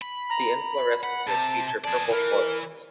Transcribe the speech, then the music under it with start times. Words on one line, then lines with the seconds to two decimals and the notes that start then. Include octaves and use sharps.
The inflorescences feature purple florets.
0.02 B5
0.30 A#5
1.03 F#5 B5
1.27 C3 A5
1.84 G#4 D5 A5
2.11 E3 A#4